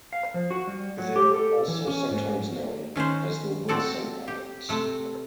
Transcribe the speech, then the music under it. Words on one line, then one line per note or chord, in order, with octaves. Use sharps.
They are also sometimes known as the Wilson Islands.
F5
F3
F#4
G3
F#3
G4
A4
E3
C#4
G#2
D#3 C#4 B4 C5
C4 F#4 A4 D5
G4
C3 A3 C4